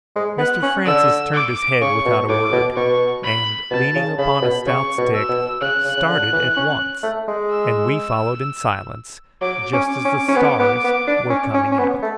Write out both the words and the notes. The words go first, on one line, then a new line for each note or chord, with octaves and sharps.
Mr Francis turned his head without a word, and, leaning upon a stout stick, started at once; and we followed in silence, just as the stars were coming out.
G#3
B3 F#6
C#4
D3 E6
D6
C#3 C#6
B2
A2 D6
B2
B2 C#6
B5
B2 A5
C#3
C#3 B5
B2
C#3 C#6
B2
E6
B2
C#3 F#6
C#3
C#3
D3
E3
C#4
A3
G#3
E6
F#3 D6
C#4
D6
C#4
C#4
B3
B3
B3
D4
C#4
C#4
C#4
B3
A3